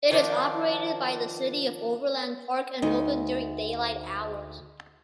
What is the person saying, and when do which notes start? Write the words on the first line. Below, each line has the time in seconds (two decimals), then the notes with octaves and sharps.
It is operated by the City of Overland Park, and open during daylight hours.
0.11 D#3 F3 D4
2.82 D2 D#4